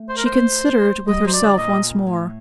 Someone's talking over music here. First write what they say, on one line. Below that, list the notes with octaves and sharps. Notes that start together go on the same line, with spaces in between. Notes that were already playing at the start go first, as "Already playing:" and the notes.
She considered with herself once more.
Already playing: A3
C5
A#4
C5
G3 D#5
F#3 C5
D5
D3
A#2 D#5
A2